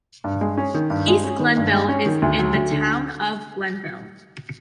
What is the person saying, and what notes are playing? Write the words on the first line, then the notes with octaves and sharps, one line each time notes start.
East Glenville is in the town of Glenville.
G2
G#3
C#4
D#3
G2
G#3
C#4
D#3
G2
G#3
C#4
D#3
D2
F#3
D2
D3